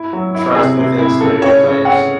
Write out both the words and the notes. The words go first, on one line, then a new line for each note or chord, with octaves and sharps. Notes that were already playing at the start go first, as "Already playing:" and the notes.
trust within stereotypes,
Already playing: E4
F#3
E4
C3 G#4
C3
E4
C#3 A4
C#4 C#5
C#3
C#4 F#5